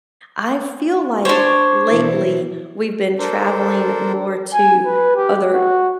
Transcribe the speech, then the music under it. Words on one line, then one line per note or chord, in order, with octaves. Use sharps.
I feel like lately we've been traveling more to other
D4 C5 C#5
B2 E3
D4 A4 A#4 C5
G#5
B4
G4
F#4